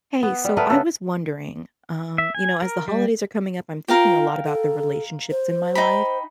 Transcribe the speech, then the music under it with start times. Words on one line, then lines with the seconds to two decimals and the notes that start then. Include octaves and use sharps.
Hey, so I was wondering, um, you know, as the holidays are coming up, I'm thinking a lot about the relationships in my life,
0.23 B3
0.45 G3
0.57 A3 B3 A#4 B4
0.70 C#3 A4
2.18 E5
2.35 G#5
2.62 A#4
2.88 G3
3.88 F4 A#4 F5 G5
4.46 A4
5.31 C5
5.75 D#4 G5 B5